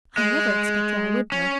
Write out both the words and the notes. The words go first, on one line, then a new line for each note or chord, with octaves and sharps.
I never expected I would, though.
G#3
C#4